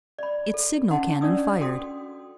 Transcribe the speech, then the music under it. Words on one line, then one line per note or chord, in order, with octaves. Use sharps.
Its signal cannon fired.
D5 B5
A4
C#4 D#4 F#5 C6
C#4 D4 D5 D#6 E6
F#4 A4 G5 C6 D#6